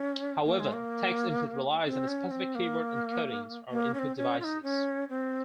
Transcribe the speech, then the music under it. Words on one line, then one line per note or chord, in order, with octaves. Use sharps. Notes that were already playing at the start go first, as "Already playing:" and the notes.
However, text input relies on specific keyboard encodings or input devices.
Already playing: C#4
A#3
G#3
A#3
C#4
C4
C#4
C4
A#3
A#3
C#4
C4
C#4
F4
D#4
C#4
C4